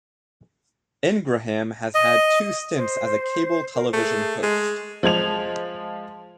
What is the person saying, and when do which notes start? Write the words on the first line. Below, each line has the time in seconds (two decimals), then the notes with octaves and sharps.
Ingraham has had two stints as a cable television host.
1.95 D#5
2.76 C5
3.75 A#4
3.93 A3 G#4
4.43 G#3
5.03 F3 G#3 G#6 F7